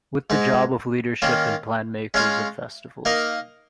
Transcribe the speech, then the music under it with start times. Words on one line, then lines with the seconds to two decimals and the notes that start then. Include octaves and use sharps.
With the job of leadership and plan-makers of festivals.
0.30 G#2 G#3 D#4
1.22 D#3 A#3 C#4 F4
2.14 G#3 C#4 F4 C#5 F5
3.05 A#3 D#4 A#4 D#5